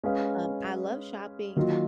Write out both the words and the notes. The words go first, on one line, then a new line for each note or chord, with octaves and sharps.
Um, I love shopping
G#3 C#4 G#4 B4 F5
D#3 F#3 A#3 F4